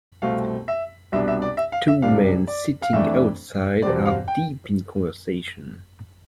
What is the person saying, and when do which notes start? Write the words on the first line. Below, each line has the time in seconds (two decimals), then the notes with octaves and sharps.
Two men sitting outside are deep in conversation.
0.22 C2 B2 A3 C4 F5
0.68 E5
1.12 C2 B2 G3 B3 D4 E5
1.28 E5
1.42 D5
1.57 E5
1.72 F5
1.88 E5
2.02 C2 C3 G3 D4 F5
2.47 D5
2.82 F5
2.93 F2 E3 A3 D4 E5
3.82 E2 B2 G3 C4 D5
4.05 F5
4.28 G5